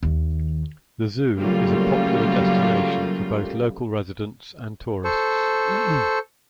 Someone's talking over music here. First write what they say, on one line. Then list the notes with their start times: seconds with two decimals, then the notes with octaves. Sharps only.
The zoo is a popular destination for both local residents and tourists.
0.03 D#2 D#3
1.37 C#3 F#3 G3 A3 A#3 F4
5.04 A4 C5 C#6